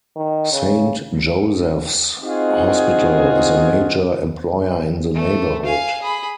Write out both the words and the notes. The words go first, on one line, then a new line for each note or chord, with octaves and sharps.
"Saint Joseph's Hospital" is a major employer in the neighborhood.
D#3
C#3
C4 D#4 F4 F#4 G#4
A3
F5 G#5
G#4 B5